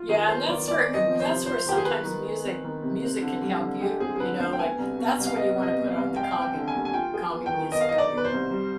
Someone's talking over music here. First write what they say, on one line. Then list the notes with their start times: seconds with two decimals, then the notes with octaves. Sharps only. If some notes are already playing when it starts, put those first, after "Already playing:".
Yeah, and that's where i that's where sometimes music music can help you, you know? Like, that's when you wanna put on the calming calming music on your
Already playing: F4
0.09 D#3 G#4
0.28 B3 C5
0.48 D#3 D5
0.68 G#3 D5
0.88 C4
0.94 D#5
1.07 F3
1.20 C5
1.26 C3
1.46 F4 C5
1.65 D#3 G4
1.77 G#4
1.85 B3 B4
2.04 D#3
2.24 G#3
2.43 C4
2.64 D#3
2.82 C3
3.02 C4
3.22 D3
3.42 G3
3.61 D3
3.80 G#3 G4
4.00 C4 G#4
4.16 G#4
4.20 D3 B4
4.39 D2 C5
4.53 G5
4.58 B3 G#5
4.78 C2
4.98 B2
5.18 C2
5.27 F5
5.37 B3 D#5
5.57 C2
5.63 D#5
5.77 B2
5.89 F5
5.96 C2
6.16 G#3 G5
6.23 F5
6.31 G5
6.36 C4
6.42 G5
6.54 D3
6.68 G#5
6.74 D#2
6.85 G#5
6.94 F4 G5
7.14 G#4
7.33 B3
7.46 G5
7.53 D#3
7.72 B3 D#5
7.81 F5
7.89 D#4 D#5
7.98 D5
8.11 B2
8.17 B4
8.25 C5
8.31 C2
8.51 G3